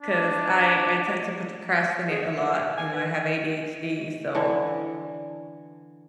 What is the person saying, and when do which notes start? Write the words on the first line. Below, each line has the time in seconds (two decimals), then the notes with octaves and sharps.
'cause I I tend to procrastinate a lot, you know, I have ADHD, so,
0.02 D4
2.10 G#4
2.37 E5
2.78 G#5
2.92 B4
4.35 D3 E3